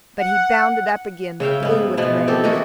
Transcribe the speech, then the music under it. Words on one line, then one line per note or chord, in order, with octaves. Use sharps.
But he bounded up again, blue with rage.
F#5
C#3 E5 F5 G5
G#2 B3
B2 E3 F3 B3
C4 G4 A4
E3 A#3 D#4 F#4